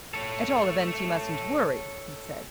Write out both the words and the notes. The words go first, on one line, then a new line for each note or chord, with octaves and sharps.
"At all events, you mustn't worry," he said.
A4 C#5